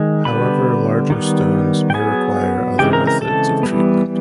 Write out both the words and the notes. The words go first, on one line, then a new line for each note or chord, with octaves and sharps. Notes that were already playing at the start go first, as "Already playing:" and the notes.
However, larger stones may require other methods of treatment.
Already playing: D#3 G#3
D3 G3 B3 B4 B5
D#3 G3 B3
G5
F#3 B3 G#4 G#5
C#3 E3 G#3 C4 G4 G5
A#4 A#5
A#4 A#5
A4 A5
E3 G3 B3